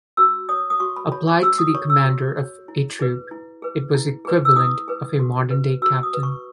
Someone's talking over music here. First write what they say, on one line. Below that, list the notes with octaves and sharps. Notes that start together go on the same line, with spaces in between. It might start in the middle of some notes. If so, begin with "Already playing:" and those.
Applied to the commander of a troop, it was equivalent of a modern-day captain.
F#4 E6
C#5 D#6
D#6
F#4 C#6
B5
C#5 B5
C#6
F#4 E6
D#6
C#5 C#6
E6
F#4
C#5
E4
G#4 B4
E4
G#4 B4
E4
G#4 B4
E6
E4 D#6
G#4 B4
F#4
B4
F#4 E6
D#6
B4
C#6